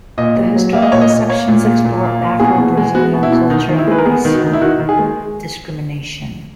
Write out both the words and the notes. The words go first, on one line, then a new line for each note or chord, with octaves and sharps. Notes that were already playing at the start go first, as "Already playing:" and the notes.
The historical sections explore Afro-Brazilian culture and racial discrimination.
A#2 D#5
A#2
F#3
A#3 E5
D#5
A#2 C#5
D#5
A#2
A#3 C#5
A#2
A#3
A#2
A#3
A#2
B2 G#4
B2
G#3
B3 F#4
B2
E4
B2
D#3 D#4
D#3
E4
G#3 B4
A#4
B3 G#4
D#3
F#4
D#3 D#4
E4
D#3 F#4
D#3
G#4
G#3